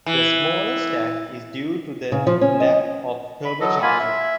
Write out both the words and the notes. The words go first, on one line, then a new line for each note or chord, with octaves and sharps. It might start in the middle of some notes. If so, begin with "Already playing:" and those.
The smaller stack is due to the lack of turbocharging.
E3
C#3
F3
C#4
D#5
B5
F#3 A4 D#5
A#3 F4 G#5 B5
E5